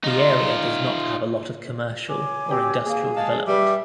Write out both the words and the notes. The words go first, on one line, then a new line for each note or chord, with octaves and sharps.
The area does not have a lot of commercial or industrial development.
D#4 F4
C#5 G#5 D6
C4 F#4 G4
A#3 G#4
G#3 F5 A5
G3 B4 E5 D6